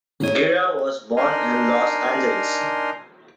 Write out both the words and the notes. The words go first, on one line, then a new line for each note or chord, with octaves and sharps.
Gira was born in Los Angeles.
C#5
D4 D#4 A#4 G#5 A#5 C6